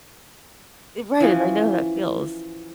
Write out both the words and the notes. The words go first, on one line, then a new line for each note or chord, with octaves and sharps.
Eh, right and I know how that feels.
E3 F3 C#4